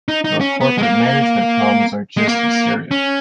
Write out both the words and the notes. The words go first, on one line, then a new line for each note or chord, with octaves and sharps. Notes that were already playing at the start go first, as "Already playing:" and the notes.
Your corporate management problems are just as serious.
D#4
D#4
C#4
B3
G#3
A#3
G#3
A#3
C#4